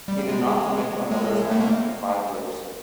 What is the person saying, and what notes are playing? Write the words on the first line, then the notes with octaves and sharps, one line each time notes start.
He did not commit to another assignment for five years.
G3
G#3
G#3
A3
A#3